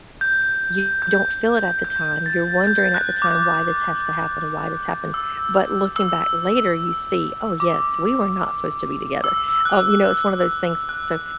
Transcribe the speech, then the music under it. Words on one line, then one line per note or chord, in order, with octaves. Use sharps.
you don't feel it at the time, you're wondering at the time why this has to happen and why this happened, but looking back later, you see, "Oh, yes, we were not supposed to be together," um, you know, it's one of those things, so
G6
G6
G6
A6
G6
F#6
D6
E6
E6
D6
E6
F#6
F#6